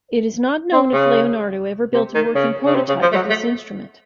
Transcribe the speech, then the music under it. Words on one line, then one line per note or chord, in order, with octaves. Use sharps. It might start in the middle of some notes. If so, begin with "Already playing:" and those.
It is not known if Leonardo ever built a working prototype of this instrument.
C4
C#3
C3
D#3
C#3
C#3
C3
C#3
F3
A3
F#3
A3